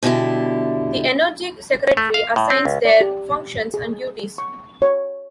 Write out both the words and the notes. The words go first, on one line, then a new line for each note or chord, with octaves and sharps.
The Energy Secretary assigns their functions and duties.
B2 D3 G3 E4 G4
A3
F5
A2
C4
C#2
D5
G4
G#4
C#6
C#5